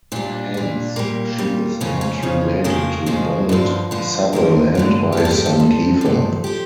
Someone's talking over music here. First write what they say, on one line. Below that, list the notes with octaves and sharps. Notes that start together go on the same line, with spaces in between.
Hence she is not related to Donald Sutherland or his son Kiefer.
A#2 G3 D4
A#2 G3
A#2 G3 A#3
A#2 G3
F2 C#3 F3 C#4
C#4
F2 C#3 F3
F2 C#3 F3 A#4
F2 C#3 F3
G2 D3 F3
G2 D3 F3
G2 D3 F3 A#4
G2 D3 F3
G4
G2 F3 A4
F4
G4
A4
G2 F3
G2 F3
F3 G4